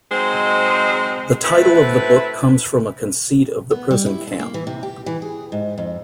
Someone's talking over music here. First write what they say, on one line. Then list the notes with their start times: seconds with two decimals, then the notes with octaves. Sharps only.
The title of the book comes from a conceit of the prison camp.
0.12 F#3 G#3 C4 D#4 C5
1.43 A3 C4 E4 F#4 B4
3.71 B3
3.91 G3
4.06 E4
4.27 A4
4.39 A#3
4.54 E3
4.67 C3
4.83 G4
5.06 E3
5.22 G#4
5.52 G#2
5.78 F2